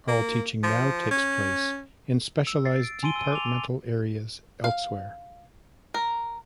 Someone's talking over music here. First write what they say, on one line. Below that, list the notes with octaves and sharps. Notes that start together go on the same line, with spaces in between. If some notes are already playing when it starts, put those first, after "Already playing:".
All teaching now takes place in specialised departmental areas elsewhere.
A#3
F3
C#4
E6
A6 C7
D7
G#5 A5 C6 D7 D#7 G7
E6 D#7
D6 F7
F5
A#4